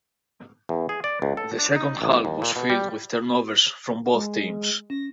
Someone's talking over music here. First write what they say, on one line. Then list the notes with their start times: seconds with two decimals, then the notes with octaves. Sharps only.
The second half was filled with turnovers from both teams.
0.69 E2
0.89 G#4
1.04 D5
1.22 C#2
1.37 A4
1.59 D4
1.76 D#4
2.02 A1
2.25 D#2
2.42 A#2
2.56 B2
2.70 G3
4.14 G#3
4.90 C#4 A#6